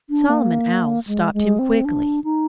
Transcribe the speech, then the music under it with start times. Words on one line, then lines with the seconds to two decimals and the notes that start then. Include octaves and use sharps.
Solomon Owl stopped him quickly.
0.10 D4
0.30 A#3
1.07 G#3
1.34 G#3
1.59 C4
1.85 D4
2.24 D#4